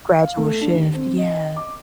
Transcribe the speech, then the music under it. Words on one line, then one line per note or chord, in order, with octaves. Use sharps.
Gradual shift, yeah.
F5
A3
D4
D#2
C4
D#5
D6